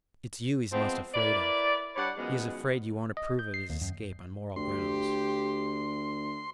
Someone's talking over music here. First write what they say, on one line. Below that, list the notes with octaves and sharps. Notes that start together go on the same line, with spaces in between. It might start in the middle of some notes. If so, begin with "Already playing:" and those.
It's you he's most afraid of, he is afraid you won't approve of his escape on moral grounds.
F3 G#3 B3 C4
E4 A#4 B4 D5
G3 D4 B4 C#5 D5 F#5
F#2 D#3 F3 G#3 B3
D#5
G6
C7
D#2
F#2
D2 G4 C6